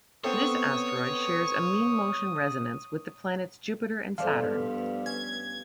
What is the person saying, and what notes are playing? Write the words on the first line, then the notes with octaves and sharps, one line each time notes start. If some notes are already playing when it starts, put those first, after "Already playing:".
This asteroid shares a mean-motion resonance with the planets Jupiter and Saturn.
B3 C4 A4 C#5 D#6
G2 F3 A3 B3 G4 C5 D5 F5
C#4 G#6